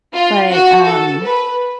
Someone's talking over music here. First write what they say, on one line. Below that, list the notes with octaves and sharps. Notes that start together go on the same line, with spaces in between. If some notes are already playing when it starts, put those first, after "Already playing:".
But, um,
F4
F#4
A4
B4